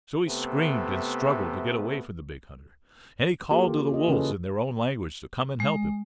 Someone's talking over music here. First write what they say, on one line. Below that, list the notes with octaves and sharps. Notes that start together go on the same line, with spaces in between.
So he screamed and struggled to get away from the big hunter, and he called to the wolves in their own language to come and help him.
C3 A3 B3
A#3 F4 G4 A4
E3
F4 D#5
C#3 E3 C#4 G#4 A4 B4
G#3